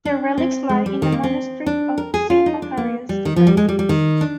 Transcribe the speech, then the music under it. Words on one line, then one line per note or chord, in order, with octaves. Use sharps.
Their relics lie in the Monastery of Saint Macarius the Great.
D4
C4
G#3
G3
D#3
A#3
C4
D4
A#4
G#4
F4
D#4
D4
A#3
G3
D#3
F3
G3
G#3
G3
G3
D#3
D4